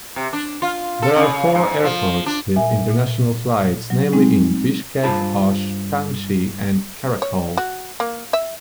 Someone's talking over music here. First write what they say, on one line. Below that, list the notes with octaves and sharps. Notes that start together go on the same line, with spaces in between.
There are four airports with international flights, namely in Bishkek, Osh, Tamchy and Karakol.
C3
D4
F4
A4
C#3
G#2
F3
D4
A#2 E5 G#5
A#2
F#3
G3 G#3 C4 D#4
G2 F4 G#4 C5 A5 B5
C#5
F#4
A#3
E5